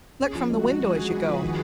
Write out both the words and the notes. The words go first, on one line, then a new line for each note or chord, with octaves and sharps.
Look from the window as you go.
C#4 G#4
F3
G#3 F#4
G#3
G#3 G#4
G#3
G#3 B4
F3
D#3